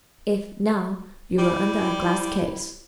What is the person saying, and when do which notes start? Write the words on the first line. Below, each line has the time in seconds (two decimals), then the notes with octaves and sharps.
"If, now, you were under a glass case."
1.38 G3 E4